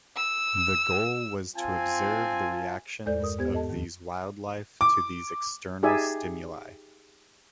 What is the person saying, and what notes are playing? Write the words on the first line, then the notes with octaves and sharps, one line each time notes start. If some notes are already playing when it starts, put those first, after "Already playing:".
The goal was to observe the reactions of these wildlife to these external stimuli.
E6
C4 F4 G#5 A5
E2 G#3 A4 C5 D5 G6
G2 A#4 D#6
E2 G#2 B3 G4 C5 G#6
A4 D#5 A5
D#2 D#3
D6
D#4 G4 G#4 D5 E5 G#5